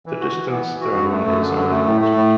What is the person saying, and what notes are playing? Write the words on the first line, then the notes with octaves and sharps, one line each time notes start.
The distance thrown is unimportant.
E3
F#4
E3
B3
E3
F#4
F#2
A3
F#2
D3
F#2
A3
A2
A3
A2